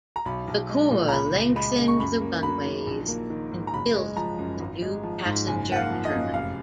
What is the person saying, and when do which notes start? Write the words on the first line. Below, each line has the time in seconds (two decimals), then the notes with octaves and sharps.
The Corps lengthened the runways and built a new passenger terminal.
0.16 A#5
0.25 B1 B5
0.48 B1
0.69 G#3
0.91 A#2
1.08 A#5
1.13 C#2 B5
1.35 C#2
1.56 G#3 B5
1.78 C#3
1.88 C#6
1.99 F#2 B5
2.21 A#3
2.43 F#3 B5
2.65 D#3
2.87 A#1
3.08 A#3
3.30 D#3
3.52 G#2
3.67 A#5
3.74 F#1 B5
3.95 G#3
4.16 F3 A#5
4.38 F#2
4.60 G#1
4.82 G#3
5.03 F3
5.25 G#2
5.47 F#1 G#5
5.69 A#3 F#5
5.76 F5
5.90 F3
6.05 D#5
6.12 F#2
6.33 F1 F5